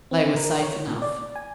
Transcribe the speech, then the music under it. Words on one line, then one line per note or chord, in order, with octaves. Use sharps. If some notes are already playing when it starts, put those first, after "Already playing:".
They were safe enough.
C4
A#4
C#5
A#2
D5
G#5